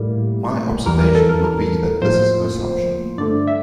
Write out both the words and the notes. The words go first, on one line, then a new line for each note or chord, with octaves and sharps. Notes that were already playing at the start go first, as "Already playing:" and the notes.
My observation would be that this is an assumption.
Already playing: A2 G3 A#3
E2 E3 G3 A#4
A#4
A4
A#4
A#4
A2 F3 A#3 C5
G2 D3 A3 D5
E5